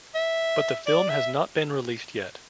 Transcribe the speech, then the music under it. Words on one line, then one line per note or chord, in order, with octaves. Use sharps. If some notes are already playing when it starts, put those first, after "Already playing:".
But the film has not been released yet.
E5
D5
E5